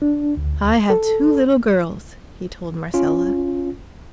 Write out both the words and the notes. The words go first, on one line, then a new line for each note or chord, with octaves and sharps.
"I have two little girls," he told Marcella.
D4
D2
A4
C#4 F4